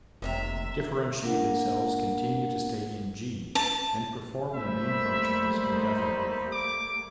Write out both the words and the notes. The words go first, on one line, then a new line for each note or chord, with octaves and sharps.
Differentiated cells continue to stay in G and perform their main functions indefinitely.
F1 D#2 C3 E5 A#5
G#3 A#3 D4 A#4 F5 F#5
A5
G3 A3 A#3 C5 E5 B5
D#4
D6